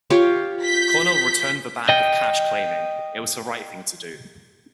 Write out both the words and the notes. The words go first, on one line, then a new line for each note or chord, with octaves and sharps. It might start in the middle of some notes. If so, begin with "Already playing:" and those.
Cornell returned the bag of cash claiming, it was the right thing to do.
F4 G4 C#5
G6 B6
D#5 G5